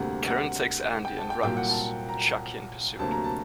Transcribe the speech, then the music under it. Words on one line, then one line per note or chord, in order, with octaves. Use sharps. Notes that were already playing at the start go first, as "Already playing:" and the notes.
Karen takes Andy and runs, Chucky in pursuit.
Already playing: D2 C3 G3 A#3 F#5
F#5
G5
A5
G5
C2 A#2 F#3 A#3 G5
F#5
A5
A#5
D2 C3 F#3 A#3 A5
A#5
A5